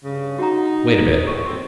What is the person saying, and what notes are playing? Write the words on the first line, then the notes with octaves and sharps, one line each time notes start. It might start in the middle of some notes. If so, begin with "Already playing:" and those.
Wait a bit....
G2 C#3
D#4 F#4 F#5 A#5
E2 A2 C#6
C4